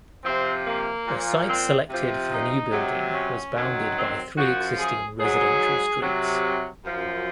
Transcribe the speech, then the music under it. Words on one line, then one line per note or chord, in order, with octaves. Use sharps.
The site selected for the new building was bounded by three existing residential streets.
C3 F3 C4
A#3
A#2 F3
C4
C3 F3
D#4
C3 F#3
C#4
F#2 D#3 F#3
C4
F#2 F3 F#4
G#4
G#2 F#3 G#4
C3 F#3
F#2 F3